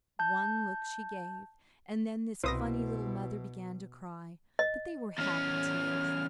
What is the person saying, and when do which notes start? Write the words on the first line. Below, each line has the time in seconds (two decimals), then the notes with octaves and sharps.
One look she gave, and then this funny little mother began to cry; but they were happy tears.
0.19 A5 G6
2.44 C2 B2 E4 B4 C5 D#6 A#6
4.59 D#5
5.18 E2 C#4 F6